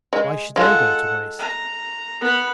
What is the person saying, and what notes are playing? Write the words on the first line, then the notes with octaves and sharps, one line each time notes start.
Why should they go to waste?
G#3
G#3 F4 A4 F#5
A#5
B3 B5